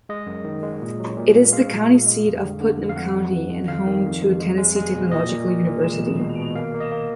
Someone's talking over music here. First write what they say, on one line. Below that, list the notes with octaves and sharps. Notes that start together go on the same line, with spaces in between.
It is the county seat of Putnam County and home to Tennessee Technological University.
G#3 D#5
F#2
D#3
G#3
A#2
F#3
A#2
A#3
G#3 F5
A#2
A#2
G#3
F2
D3
D3
F2
F5
F2 F#5
F2
F2
F2
F2 F5
D#3
F2
F2
G#3
G#3
G#3
B2
A#2 D#5
A#2
A#2
A#2
G#3
B2
B2
B2
A#3 F5
A#3
D#5
A#3